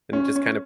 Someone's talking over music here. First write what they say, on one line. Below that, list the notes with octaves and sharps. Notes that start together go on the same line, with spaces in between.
And just kind of
C#4
C#4